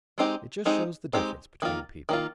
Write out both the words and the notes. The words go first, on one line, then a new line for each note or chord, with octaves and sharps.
It just shows the difference between people.
G#3 C4 D#4 G4
G#3 C4 D#4 G4
G#3 C4 D#4 G4
D#3 A#3 F4
D#3 A#3 F4